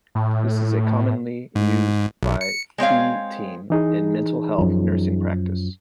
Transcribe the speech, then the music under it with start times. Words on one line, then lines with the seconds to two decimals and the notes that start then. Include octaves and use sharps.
This is a commonly used by Fee Team in mental health nursing practice.
0.15 A2
1.55 G#2
2.23 B1
2.41 C#7
2.78 G#3 C4 C#5 F5
3.70 E3 D#4 G#4
4.58 F#2 F3